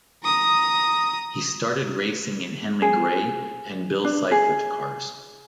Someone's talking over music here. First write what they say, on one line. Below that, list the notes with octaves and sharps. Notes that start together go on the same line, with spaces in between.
He started racing in Henley Gray and Bill Seifert cars.
A#5 D#6
G#4
D4
G#4